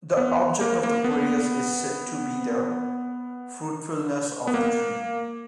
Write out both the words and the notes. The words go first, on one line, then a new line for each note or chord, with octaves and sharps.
The object of the prayers is said to be the fruitfulness of the tree.
B3
A#3
A#3
B3
B3
A#3